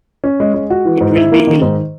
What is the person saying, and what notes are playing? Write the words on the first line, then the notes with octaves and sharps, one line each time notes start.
It will be ill.
C#4
G#3
G#3
F#4
E3
G#2
E4
A#3
D#3
G#2